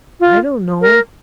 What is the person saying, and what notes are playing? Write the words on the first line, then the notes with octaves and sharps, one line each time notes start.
"I don't know."
F4
A#4